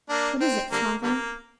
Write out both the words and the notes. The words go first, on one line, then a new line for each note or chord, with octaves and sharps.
"What is it, father?"
A#3 D4
C4
D3 G3 A#3
D3 G3 A#3